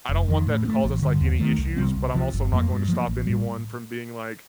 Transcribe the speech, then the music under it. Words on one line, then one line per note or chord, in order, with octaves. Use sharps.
I don't want that to cause us, like, any issues, but I'm also not going to stop anyone from being like,
F1
F2 D#3
A2
C4
A3
A1
G2 D3
D#2
D#3 A3
C2
C3 G3 C4
C2
C3 F3
G1
F2 D#3 A#3
G2
F3 A#3
A1
A2 G3